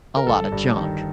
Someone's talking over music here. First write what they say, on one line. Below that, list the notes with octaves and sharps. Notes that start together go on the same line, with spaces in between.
a lotta junk.
A#4
G1 A4
G2
D#3